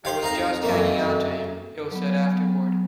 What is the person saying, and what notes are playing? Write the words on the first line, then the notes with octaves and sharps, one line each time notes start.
"I was just hanging on to him," Hill said afterward.
G4 C5 F5
F2 D#4 F5 A#5
F#2 A3 A#3
F#3 B3